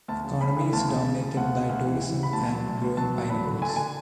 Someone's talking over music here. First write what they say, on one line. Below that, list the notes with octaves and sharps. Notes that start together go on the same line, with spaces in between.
Economy is dominated by tourism and growing pineapples.
D2 A5
C#3
C#3 B5
E3
D2 A5
C#3
C#3 A5
C#3
D2 F#5
C#3
D2 F#5
E3
E3
C#3
B5
D2 A5
F#3
D2
D2
F#3 A5
D2
F#3 B5
D3
D3 G#5
A5
D3 G#5